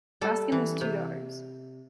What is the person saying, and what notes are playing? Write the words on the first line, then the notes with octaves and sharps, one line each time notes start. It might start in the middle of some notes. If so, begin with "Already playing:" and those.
Baskin has two daughters.
G3 A4
E3
C3